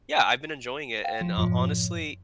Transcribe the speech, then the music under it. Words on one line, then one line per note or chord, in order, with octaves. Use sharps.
yeah, I've been enjoying it, and, uh, honestly,
F5 G5
F3
F#2 A2 F3